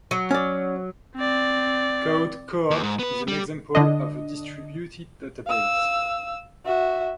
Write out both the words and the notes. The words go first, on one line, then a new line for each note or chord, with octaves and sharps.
Code Co-op is an example of a distributed database.
F#3
C#4 D5
C4 D5
D#2
G#2
B3 B4
G3
D3 D4 D#5
F5 E6
F#4 E5